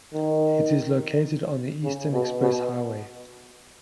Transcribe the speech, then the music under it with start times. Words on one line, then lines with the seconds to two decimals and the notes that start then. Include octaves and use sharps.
It is located on the Eastern Express Highway.
0.14 D#3
1.84 C#3
2.13 B2
2.41 B2